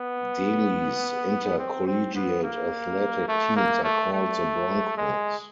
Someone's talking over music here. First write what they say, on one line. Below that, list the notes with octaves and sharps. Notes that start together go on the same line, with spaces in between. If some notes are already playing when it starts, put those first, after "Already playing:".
Delhi's intercollegiate athletic teams are called the Broncos.
Already playing: B3
C4
C4
B3
A#3
A3
A#3
A3
A3
G#3